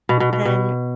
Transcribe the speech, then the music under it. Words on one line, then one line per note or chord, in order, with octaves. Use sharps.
then it
B2
B2
B2
B2